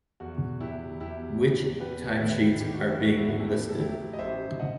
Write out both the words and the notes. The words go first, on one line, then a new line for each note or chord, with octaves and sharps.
Which timesheets are being listed?
E2 F#4
F#3 E4 G4
E2 E4 G4
E2
E2 G4 B4
D#3 E4
D#3 G4
F#4
E4
E2 F#4
E4
F#4
A2 E4 G4
A4
F#3 E4 G4
D#5
A1 C5 E5
D#5 F#5